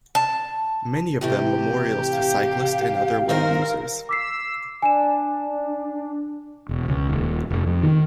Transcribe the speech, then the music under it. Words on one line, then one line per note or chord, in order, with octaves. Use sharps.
Many of them memorials to cyclists and other way users.
A5
E2 A2 C3 G4
F5
D#3 D#4 A#4 C5
D6 E6 B6 C7
D4 G#5 E7
E1
C#2
D#1
F1
F2
D#3